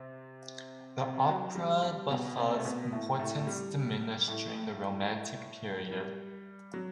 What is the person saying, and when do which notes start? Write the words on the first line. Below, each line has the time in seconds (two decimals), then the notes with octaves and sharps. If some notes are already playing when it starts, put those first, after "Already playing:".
The opera buffa's importance diminished during the Romantic Period.
Already playing: C3 C4
1.01 C3 C4
1.29 F#3
1.55 G3
1.83 G3
2.10 B2 B3
2.37 C3 C4
2.54 A3
2.65 B2 B3
2.92 A2 A3
3.19 A2 A3
3.40 A3
3.47 G3
4.28 A2 A3
5.91 G3
6.74 F#3